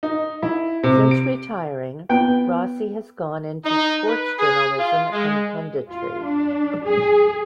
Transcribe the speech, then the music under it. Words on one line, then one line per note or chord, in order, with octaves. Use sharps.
Since retiring, Rossi has gone into sports journalism and punditry.
D#4
E4
C3
D7
B3 G5
D#4
B4
G#4
F4
G#3
F4
D4
G#4